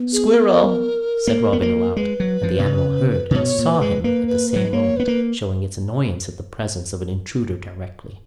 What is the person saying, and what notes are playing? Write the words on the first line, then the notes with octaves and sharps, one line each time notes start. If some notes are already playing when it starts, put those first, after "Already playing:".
"Squirrel!" said Robin aloud, and the animal heard and saw him at the same moment, showing its annoyance at the presence of an intruder directly.
Already playing: B3
G#4
A#4
A#3
B3
A#3
G#3 B4
F#3
F3
B2
C#3
C#3
B2 C#5
A#2
B4
G#3
A#3 B4
B4
B4
F#3
G#3
A#3 C#5
B3 B4
A#3